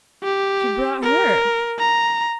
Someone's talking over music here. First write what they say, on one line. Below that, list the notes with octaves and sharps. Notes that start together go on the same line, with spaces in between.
She brought HER.
G4
A#4
A#5